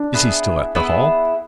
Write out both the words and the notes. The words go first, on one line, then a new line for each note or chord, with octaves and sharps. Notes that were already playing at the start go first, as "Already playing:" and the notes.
"Is he still at the Hall?"
Already playing: D4
B3 E4 G#4
B3 E4 G#4